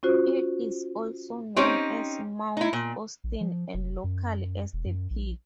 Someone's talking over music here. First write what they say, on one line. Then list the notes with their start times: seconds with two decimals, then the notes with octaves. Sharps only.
It is also known as Mount Austin, and locally as The Peak.
0.03 C#4 F4 F#4 C5
1.56 C4 C#4 D#4 G4
2.57 D#4 E4
2.73 A#2
3.24 A#1
3.41 F3
3.74 F1
4.04 F#2
4.73 E1
4.86 F#2
5.10 A#1